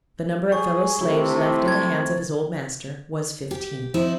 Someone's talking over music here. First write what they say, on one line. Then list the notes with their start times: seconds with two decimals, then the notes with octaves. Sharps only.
The number of fellow-slaves left in the hands of his old master, was fifteen.
0.52 G#4 C#6
1.01 C3 A3 E4
1.68 G#6 A6
3.51 G4
3.94 F3 C4 D#4 E4